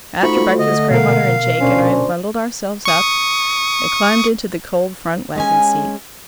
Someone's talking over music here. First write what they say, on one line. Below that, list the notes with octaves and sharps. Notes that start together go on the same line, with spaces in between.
After breakfast grandmother and Jake and I bundled ourselves up and climbed into the cold front wagon-seat.
A3 D#4 F4 F#4 C5 B5 C#6
D3 D#5
B2 A#4 F5
D2 C#4 D4 C5
C#6 D#6
G#3 C#4 G#5